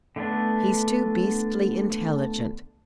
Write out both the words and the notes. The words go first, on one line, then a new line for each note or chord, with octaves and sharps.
He's too beastly intelligent.
D3 A3 B3 D4